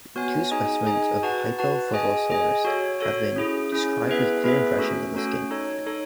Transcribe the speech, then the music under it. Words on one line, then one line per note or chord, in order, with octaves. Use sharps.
Two specimens of "Hyphalosaurus" have been described with clear impressions of the skin.
B3 F#4 C#5 G#5
D#4 G#4 D#5 G#5
D#4 G#4 D#5 G#5
F#4 B4 F#5 A5
F#4 B4 F#5 A5
G#4 D#5 G#5
G#4 D#5 G#5
F#4 A4 C#5
F#4 A4 C#5
C#4 E4 G#4
C#4 E4 G#4
B3 E4 G#4 B4 E5
B3 E4 G#4 B4 E5
A3 C#4 F#4 A4
A3 C#4 F#4 A4
D#4 A4 C#5
D#4 A4 C#5